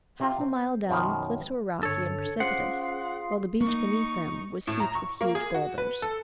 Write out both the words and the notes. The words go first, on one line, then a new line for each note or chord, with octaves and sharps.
Half a mile down the cliffs were rocky and precipitous, while the beach beneath them was heaped with huge boulders.
C3 F4
C4
F#2 B2 D#3 F3
G2 D3 A4 C#5
C#4 F4 G#4 C5 F5 F#5 C7
A#3 D#4 C#6
A2
A#5
C#6
A#3
G#4
F#4
B4
A4